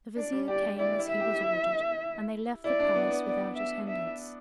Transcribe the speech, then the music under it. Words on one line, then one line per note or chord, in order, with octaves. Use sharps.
The Vizier came as he was ordered, and they left the palace without attendants.
D4 D5
G3
G4 D5
G4
E4 D5
E4
E5
G4
E4
E4 D5
D4
B3
B3
B3 D5
E5
E5